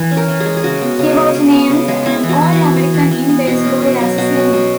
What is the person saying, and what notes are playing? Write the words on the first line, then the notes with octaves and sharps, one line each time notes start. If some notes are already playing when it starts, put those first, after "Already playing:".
He was named an All-American in baseball as a senior.
Already playing: E3
C#4
A#4
E3
G#4
G#3
G#4
C#3 F#4
B3
C#3
G#3
C#3
B3
C#3
G#3
B3 E4
E3
F#4
E3
E4
B3
B3
E3
E3
B3
B2
C#4
B2
F#3
B2 F#4
C#4
B2